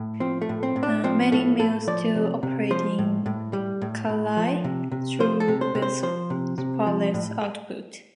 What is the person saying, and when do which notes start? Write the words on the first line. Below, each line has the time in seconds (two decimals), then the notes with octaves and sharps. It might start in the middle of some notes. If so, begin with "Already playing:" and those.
Many mills still operate in Kallai, though with far less output.
Already playing: A2
0.20 F3 C4
0.42 A3
0.49 A2
0.63 C4
0.76 A2
0.83 D4
1.04 F3 C4
1.32 A2 A3
1.59 A2 A4
1.87 F3 D5
2.15 C3
2.43 C3
2.71 F3 C5
2.99 A2
3.26 A2
3.53 G3
3.82 A2
4.09 A2
4.37 F3
4.64 C3
4.92 C3
5.20 F3 C5
5.40 A4
5.48 C3
5.61 C5
5.75 C3
5.82 C5
6.03 F3 C5
6.30 C3
6.58 C3
6.87 F3
7.14 A2